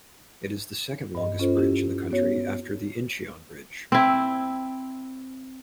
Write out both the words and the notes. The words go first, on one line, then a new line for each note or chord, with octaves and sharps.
It is the second longest bridge in the country after the Incheon Bridge.
G2 D#5
C#4 F4 A4 C5
C#4 E4 G4
B3 F#4 C#5
C4 E4